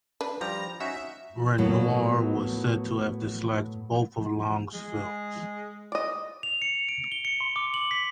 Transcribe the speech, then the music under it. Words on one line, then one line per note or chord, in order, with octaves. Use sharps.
Renoir was said to have disliked both of Lang's films.
D4 B4
F3 G3 G5 A#5
C#4 D#4 F#4 E5
A2 F#3 A#3 B3
G#3
D5 D#5
F7
C#7
D7
G7
C#7
C6
D6
F#7
B6